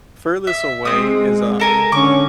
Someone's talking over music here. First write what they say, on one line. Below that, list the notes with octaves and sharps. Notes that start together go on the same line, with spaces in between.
furthest away is, um,
E5
G#3 C4 D#6
A4 A#4 G#5
D3 C#4 C#6 D6